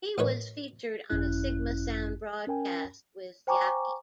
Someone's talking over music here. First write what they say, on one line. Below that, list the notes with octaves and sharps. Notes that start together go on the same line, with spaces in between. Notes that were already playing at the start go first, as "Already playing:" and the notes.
He was featured on a Sigma Sound broadcast with Sciaky.
A1 D#4 A#4 B4 C#5
G#1 F#2 C#4 E4 F#6
C#4 A#4 G5 G#5
C5 G5 G#5 A#5 C#6 D6